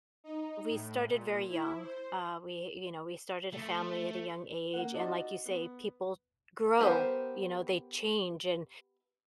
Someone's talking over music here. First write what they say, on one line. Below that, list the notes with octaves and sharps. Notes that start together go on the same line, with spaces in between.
we started very young. Um, we, you know, we started a family at a young age, and like you say, people grow. You know, they change, and
D#4
A2
A#2
E4
C5
A3
A#3 F#5
D#4 F4 F#4 D5 A5
B3
B3 G4 A#4 C5